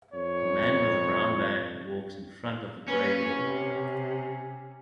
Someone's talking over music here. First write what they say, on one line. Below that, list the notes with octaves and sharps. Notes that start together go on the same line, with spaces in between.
A man with a brown bag walks in front of a gray wall.
F2 C#5
A#3 C#4 B4
C3